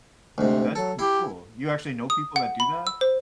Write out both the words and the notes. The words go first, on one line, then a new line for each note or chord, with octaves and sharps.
That's pretty cool. You actually know people that do that?
D2 G#2 C3
F#3 A4
E4 G4 C6
D#6
F#5
B5
E6
C5